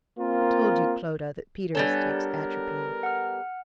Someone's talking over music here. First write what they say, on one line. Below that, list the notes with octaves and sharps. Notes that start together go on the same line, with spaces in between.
Who told you, Clodagh, that Peters takes atropine?'
A#3 C4 F4 A#4
G3 B3 D4 A4 C#5 G#5
A#4
F#5 F6